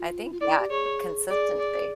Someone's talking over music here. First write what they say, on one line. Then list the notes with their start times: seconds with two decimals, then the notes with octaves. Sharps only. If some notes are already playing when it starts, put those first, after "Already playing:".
I think, yeah, consistency.
Already playing: F4
0.32 F4
0.40 E4 D5
0.59 G4
0.70 G#4 C#5
1.29 G#4 D5
1.59 D5